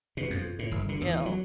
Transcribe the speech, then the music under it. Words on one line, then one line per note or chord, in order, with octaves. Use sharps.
you know?
B2
F2
A2
G1
D3
E2
E3
F#3